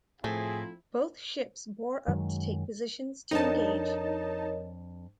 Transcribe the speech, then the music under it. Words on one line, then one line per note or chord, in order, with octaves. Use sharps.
Both ships bore up to take positions to engage.
A2 F3 A3 C4 E4 G#4
F#2 D#3 F#3 G#3
F2 D4 D#4 A#4 C#5 D#5 A5